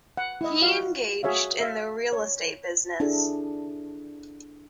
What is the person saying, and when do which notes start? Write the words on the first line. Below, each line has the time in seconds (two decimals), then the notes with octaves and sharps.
He engaged in the real-estate business.
0.17 F#5
0.41 E4 D#5
0.62 F4 F#4 F5
1.23 F#4 G#4 C#5 E5 F5
1.60 E5 F5
2.13 C#5
3.00 D4 E4 G#4 A4